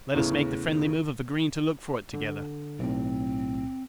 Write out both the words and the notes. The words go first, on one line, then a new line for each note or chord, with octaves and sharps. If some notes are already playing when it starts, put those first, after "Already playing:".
Let us make the friendly move of agreeing to look for it together.
E2 A2 C#3 E3
D3
B1 A2 C4